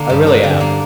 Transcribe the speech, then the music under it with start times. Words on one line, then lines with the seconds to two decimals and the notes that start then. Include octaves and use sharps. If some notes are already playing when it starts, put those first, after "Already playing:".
I really am.
Already playing: D3 A#3 D4
0.10 G2
0.27 D4
0.43 D3
0.60 A#3